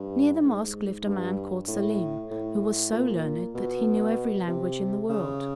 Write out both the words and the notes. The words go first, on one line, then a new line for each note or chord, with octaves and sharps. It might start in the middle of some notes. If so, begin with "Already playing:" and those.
Near the mosque lived a man called Selim, who was so learned that he knew every language in the world.
Already playing: G2
G#2
G2
A2
A2
A#2
B2
C3
C#3